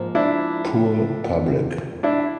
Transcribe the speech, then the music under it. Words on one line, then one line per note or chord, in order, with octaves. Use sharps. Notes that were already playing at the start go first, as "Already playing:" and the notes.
Poor public!
Already playing: G#2 F3 A#3
D4 E4
D4 E4